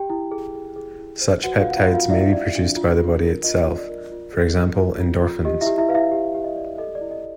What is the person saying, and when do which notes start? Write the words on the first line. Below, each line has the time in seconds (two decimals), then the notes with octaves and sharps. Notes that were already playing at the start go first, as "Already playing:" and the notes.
Such peptides may be produced by the body itself, for example endorphins.
Already playing: G4 G5
0.10 E4
0.31 G#4
0.55 G#4
0.76 G#4
0.99 E4
1.21 C5
1.43 F#4 B4 F#5
1.60 F4 F5
1.65 B4
1.71 F#5
1.77 F4 F5
1.87 F#4
1.94 F4 F5
2.10 E4 D5 E5
2.33 D5
2.55 D4
2.77 F4
2.99 F4
3.22 A#4
3.44 F4 D#5
3.66 F4
3.78 D5
3.89 A#4
4.11 F4
4.33 G#4
4.56 G#4
4.78 F4
5.00 F4
5.22 F4
5.45 G4 D#5
5.61 E4 E5
5.67 G4
5.78 E4 E5
5.89 B4 F5
5.95 E4 E5
6.12 G4
6.34 G4
6.44 D#5
6.56 D5
6.78 A4 D#5
6.95 D5
7.01 E4
7.11 D#5